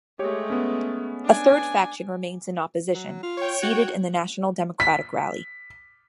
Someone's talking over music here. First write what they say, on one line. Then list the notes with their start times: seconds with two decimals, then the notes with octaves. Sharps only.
A third faction remains in opposition, seated in the National Democratic Rally.
0.19 G#3 A3 G4 C#5
0.50 B3 C#4
1.25 D4 G#5
2.94 F#3
3.23 F4
3.37 C#5 G5
3.63 F#4
4.80 B6